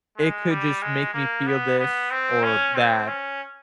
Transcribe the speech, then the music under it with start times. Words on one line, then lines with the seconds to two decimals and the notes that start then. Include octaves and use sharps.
it could just make me feel this or that.
0.17 G#3
0.50 G3
0.82 G#3
1.14 A#3
1.47 B3
1.79 B3
2.11 C4
2.43 C#4
2.75 C4
3.07 C#4